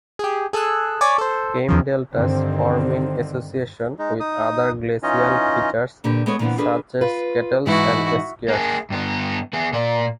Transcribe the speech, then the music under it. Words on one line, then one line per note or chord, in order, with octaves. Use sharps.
Kame deltas form in association with other glacial features such as, kettles and eskers.
G4 G#4
G#4 A4 G#5 E6 F#6
C#5 D5 G#5 C#6 D6 B6
A4 C5
E2 D#3 F3
G2 D3 D#3 C4
G#3 D#4
D#4 D#6
E3 C#4 D#4 F4 C#5 D#5
A#2 D3 G4 B4
G#3 B3 A4 C#5
A#2 D3 E3 A3 B3 C4
D#3 D4 G#4 A4 B4
F4 B4
G#2 E3 D#4 E4 F#4
A#3 G#4
G2 B3
B3 G#4
A#2 D5